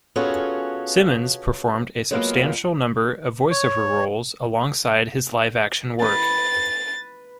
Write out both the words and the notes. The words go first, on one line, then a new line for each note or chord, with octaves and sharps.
Simmons performed a substantial number of voice-over roles alongside his live action work.
B3 C#4 F4 F#4 G#4 A4
F#3 G#3 A#3 B3 F4
C#5
B4 A6